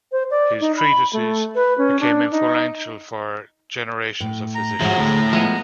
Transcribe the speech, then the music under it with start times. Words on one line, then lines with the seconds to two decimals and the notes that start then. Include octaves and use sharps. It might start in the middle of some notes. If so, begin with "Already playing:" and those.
His treatises became influential for generations of physicians.
0.12 C5
0.31 D5
0.61 D#4
0.77 B5
1.13 A3
1.55 B4
1.78 C#4
2.00 D4
2.31 D#4
4.20 A2
4.55 A#5
4.81 D2 G#2 F3 F#4 G#4 C#5 E5
4.98 D2 A2
5.33 F3 G#3 B3 E5